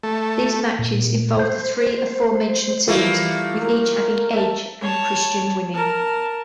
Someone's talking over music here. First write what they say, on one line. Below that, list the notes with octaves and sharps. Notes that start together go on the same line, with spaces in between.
These matches involved the three aforementioned teams, with each having Edge and Christian winning.
A3
A#2
C5
E3 F3 G3 A3 A#3 E4
A#4
E5 A5
C#5 A5
A#4 A5